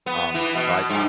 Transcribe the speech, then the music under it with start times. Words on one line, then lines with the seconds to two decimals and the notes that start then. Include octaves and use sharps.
um, so I
0.06 B3
0.34 E3
0.55 B2
0.90 G2